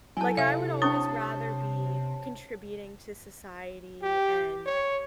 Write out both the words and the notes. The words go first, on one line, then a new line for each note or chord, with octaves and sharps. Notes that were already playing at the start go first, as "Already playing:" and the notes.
Like, I would always rather be contributing to society and
F#3 E4 A4 G#5 A5
C3 E5 F5
C#4 D4 C#5 A5 C#6 D#6
G4
C#5